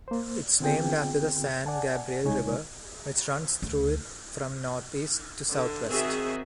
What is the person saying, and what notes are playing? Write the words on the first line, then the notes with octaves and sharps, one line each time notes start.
It’s named after the San Gabriel river, which runs through it from north-east to south-west.
A#3 C5
D3 B3 C4 F4 G#4 G5
D5 F#5 G#5 A5
C2 C#3 G#3 D#4 C#5 G#5
D2
D3
D#3 C4 F#4 G#4 E5